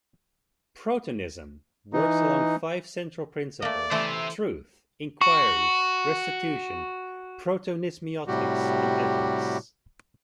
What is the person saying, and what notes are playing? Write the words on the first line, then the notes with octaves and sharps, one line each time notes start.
Protonism works along five central principles: truth, inquiry, restitution, protonismiotics, and ethics.
E3 D#4
A3 A#3 D5
E3 A3 C5 E5
F#4 C#6
A2 C3 G3 F#4 G4